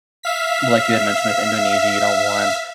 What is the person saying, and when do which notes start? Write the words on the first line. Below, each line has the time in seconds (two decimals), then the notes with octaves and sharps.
like you had mentioned with Indonesia, you don't want
0.23 E5 F5 B6